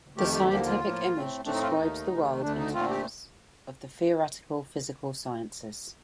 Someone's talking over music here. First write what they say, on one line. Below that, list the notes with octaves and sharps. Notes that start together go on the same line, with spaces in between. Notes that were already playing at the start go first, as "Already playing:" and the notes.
The scientific image describes the world in terms of the theoretical physical sciences.
F2 D#3 A3 G4
G4
D#2 D3 F3 A#3 G4
F4
A2 F3 A#3
A2 A3 C4
A2 A3 C4 D4
D#4
F4
D#4
D#2 D#3 A3
C3 D#3 A3
D2 D3 A3 D4
D#4
A#2 A3 C4 F4
G4